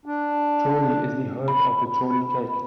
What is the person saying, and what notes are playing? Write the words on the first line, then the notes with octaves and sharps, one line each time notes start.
Chorley is the home of the Chorley cake.
D4
B5